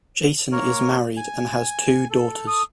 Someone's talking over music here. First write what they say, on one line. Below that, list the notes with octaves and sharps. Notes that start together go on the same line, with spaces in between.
Jason is married and has two daughters.
A#3 A#4 C#5
G#5
A4
D#6